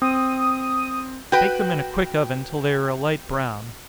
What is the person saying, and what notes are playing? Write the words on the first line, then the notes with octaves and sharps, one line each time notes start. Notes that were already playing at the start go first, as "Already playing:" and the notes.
Bake them in a quick oven till they are a light brown.
C4 D#6
F#4 B4 G5